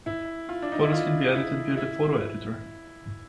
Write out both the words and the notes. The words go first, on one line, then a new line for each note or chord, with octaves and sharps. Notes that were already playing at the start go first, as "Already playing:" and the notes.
Photos can be edited via the photo editor.
E4
F4
D4
D#4
E4
F4
E4
E4